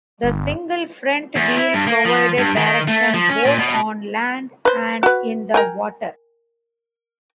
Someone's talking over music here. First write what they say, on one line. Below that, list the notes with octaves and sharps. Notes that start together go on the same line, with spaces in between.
The single front wheel provided direction, both on land and in the water.
G1
E2
E4
G2
A#3
F3
G2
D#3
A3
F3
C#4
A#2
B2
B4 C5
F#4 B4
A#4 G5 G#5